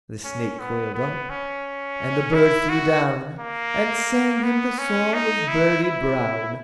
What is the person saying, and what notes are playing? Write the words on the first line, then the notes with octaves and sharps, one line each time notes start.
The snake coiled up; and the bird flew down, And sang him the song of Birdie Brown.
C#4
B3
B3
C#4
E4
F#4
A#3
B3
C#4
D#4
E4
E4